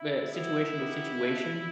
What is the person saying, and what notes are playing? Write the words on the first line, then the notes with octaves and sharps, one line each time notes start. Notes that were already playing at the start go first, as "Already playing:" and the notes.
the situation to situation.
Already playing: E4
B2 G3 B3 E4
D#3 G3 B3
D3 F3 A3